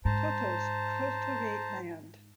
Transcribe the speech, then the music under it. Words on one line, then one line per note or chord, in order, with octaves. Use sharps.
Totos cultivate land.
G#2 C5 A5 A#5